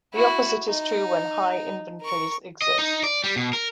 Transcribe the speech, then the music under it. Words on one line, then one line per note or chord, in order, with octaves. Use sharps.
The opposite is true when high inventories exist.
E4 F#4
D#4
A#4 C#6
D#5
D#4
D5
G3
B2
A#4